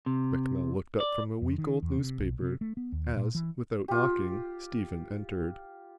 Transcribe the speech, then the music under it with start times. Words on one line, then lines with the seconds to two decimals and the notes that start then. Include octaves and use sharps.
Bechamel looked up from a week-old newspaper as, without knocking, Stephen entered.
0.06 C3
1.00 D5
1.42 F2
1.58 D#3
1.82 E2
1.96 C3
2.18 B1
2.41 C3
2.61 A3
2.77 B3
2.92 D#2
3.17 A#2
3.35 E3
3.88 F4 G4